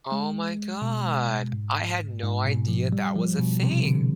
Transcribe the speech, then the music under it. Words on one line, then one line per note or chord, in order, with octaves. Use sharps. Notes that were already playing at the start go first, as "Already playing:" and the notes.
Oh my god. I had no idea that was a thing!
G#3
B2
G#2
G#2
B2
F3
G3
F3
B2
C3
D3